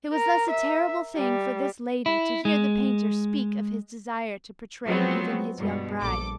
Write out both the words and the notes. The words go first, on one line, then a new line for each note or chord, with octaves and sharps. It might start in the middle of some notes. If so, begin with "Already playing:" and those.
It was thus a terrible thing for this lady to hear the painter speak of his desire to portray even his young bride.
A#4
E5
G3
E4
G#3
F3 F#3 G#3 B3 C4
G2 B2
A#1 A4 D6